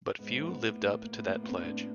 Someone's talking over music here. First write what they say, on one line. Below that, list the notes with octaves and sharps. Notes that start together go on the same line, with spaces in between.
But few lived up to that pledge.
G#2 B3
A#3
B3
A2
A#3
A2 B3
A#3
B3
C4
A2 D4